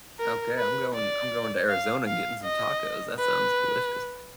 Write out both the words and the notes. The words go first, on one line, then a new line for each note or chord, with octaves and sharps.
Okay, I'm going I'm going to Arizona and getting some tacos. That sounds delicious.
A#4
B4
D5
F5
F5
D#5
B4